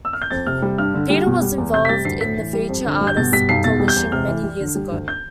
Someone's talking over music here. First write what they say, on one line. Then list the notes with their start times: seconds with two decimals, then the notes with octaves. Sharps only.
Peter was involved in the Featured Artists Coalition many years ago.
0.05 E6
0.13 F6
0.22 G6
0.31 F2 A6
0.47 C3 F6
0.62 G3
0.78 G2 F6
0.94 D3
1.10 G3
1.26 B2
1.42 G3
1.58 E2
1.73 C3 G6
1.85 B6
1.89 G3 A6
2.05 D2 C7
2.21 A2 B6
2.37 E3
2.53 G3
2.69 F2
2.86 D3
3.01 G3
3.07 G6
3.17 B2 A6
3.32 G3 B6
3.49 B1 C7
3.64 B2 A6
3.80 G3
3.88 G6
3.96 E2
4.12 C3 F6
4.28 E3
4.43 G3
4.60 D3
4.75 G3
4.92 D2
5.08 G6